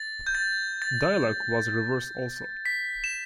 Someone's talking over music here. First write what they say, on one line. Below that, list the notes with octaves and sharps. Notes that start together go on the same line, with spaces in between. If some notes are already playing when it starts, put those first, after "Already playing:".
Dialogue was reversed also.
Already playing: A6
G6
A6
A6
B6
E7